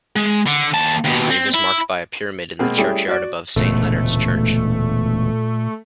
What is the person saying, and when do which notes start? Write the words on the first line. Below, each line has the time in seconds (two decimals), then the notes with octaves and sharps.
His grave is marked by a pyramid in the churchyard above Saint Leonard's Church.
0.16 G#3
0.47 D3
0.74 D#2 A5
1.05 D#2 B2
1.31 C4
1.54 E4
2.59 B2 G#3 A#3 C4
2.77 G3 A3 C#4 E4 G4 G#4
3.08 F#4 D5
3.56 E1 D2 A#2 C#3 A3